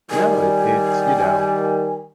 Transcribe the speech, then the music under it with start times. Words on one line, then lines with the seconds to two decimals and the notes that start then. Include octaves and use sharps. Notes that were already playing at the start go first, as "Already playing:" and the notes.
No it it's you know,
0.11 D#3 G3 G#5